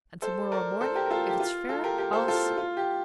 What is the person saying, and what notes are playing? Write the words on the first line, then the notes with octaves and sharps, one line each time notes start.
And to-morrow morning, if it's fair, I'll see!
A4 C5
A#4 D5
A4 C5
G4 A#4
A#4
F4 A4
G4
F4
F4 A4
G4 A#4
G4 A#4
A4 C5
F4 A4
F4
G4